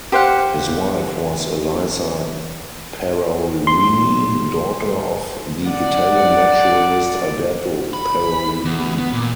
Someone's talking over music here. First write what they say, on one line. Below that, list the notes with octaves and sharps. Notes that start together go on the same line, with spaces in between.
His wife was Elisa Parolini, daughter of the Italian naturalist Alberto Parolini.
G4 C5 F5 F#5
C6
D5 F#5
B5
E2
B3
A#2